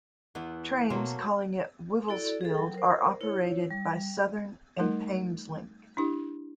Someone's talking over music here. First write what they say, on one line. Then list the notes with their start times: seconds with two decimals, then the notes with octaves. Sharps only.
Trains calling at Wivelsfield are operated by Southern and Thameslink.
0.35 E2 E3 B3
0.90 B2 F#3 A3 A#3 C6
2.08 E4 F#4 A4 D5
2.41 G#4 A4
2.54 F#3 G5
2.74 A#4 C5
3.21 E4 C#5
3.71 G3
4.79 G3 A3 D#4 A#4
5.97 D4 E4 G4